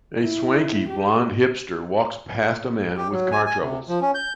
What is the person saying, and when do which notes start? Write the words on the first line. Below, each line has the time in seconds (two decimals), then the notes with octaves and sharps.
A swanky, blond hipster walks past a man with car troubles.
0.22 E4
0.89 G4
2.97 G4
3.11 F#3
3.32 G#5
3.46 G#5
3.62 C3
3.89 F3
4.02 C#4
4.15 G6